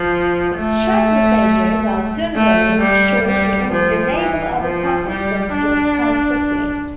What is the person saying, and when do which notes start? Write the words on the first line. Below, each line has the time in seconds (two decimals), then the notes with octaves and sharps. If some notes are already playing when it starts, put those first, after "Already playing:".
Chat messages are generally short in order to enable other participants to respond quickly.
Already playing: F3
0.56 A3
2.35 A3
2.81 G3
3.27 G3
3.72 F3
4.17 E3
4.62 F3
5.08 G3
5.52 D4